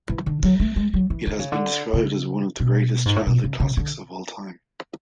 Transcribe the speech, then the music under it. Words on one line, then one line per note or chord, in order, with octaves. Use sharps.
It has been described as one of the greatest childhood classics of all time.
E3
D3
F#3
A3
G#3
F#3
E3
D3
C#3
D3
C#3
B2
G#2
A2
B2
C#3
C#3
D3